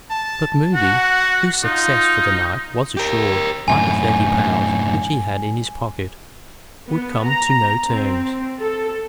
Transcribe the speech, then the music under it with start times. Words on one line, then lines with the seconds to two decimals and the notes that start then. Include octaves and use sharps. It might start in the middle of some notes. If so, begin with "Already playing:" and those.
But Moody, whose success for the night was assured by the thirty pounds which he had in his pocket, would come to no terms.
0.10 A5
0.74 F#4 F#5
1.64 D#4 F4
2.97 G4 A#4
3.68 F#2 A2 G#5
6.88 B3
7.26 A#5
7.87 C4
8.61 A4